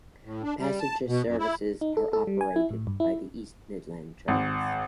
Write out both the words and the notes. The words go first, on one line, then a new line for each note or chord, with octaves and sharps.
Passenger services are operated by East Midlands Trains.
A2
D4
G3
A5
B2
F#2
E4
D#4
A4
A4
G3
G#5
E4
A2
G2
E4
G#1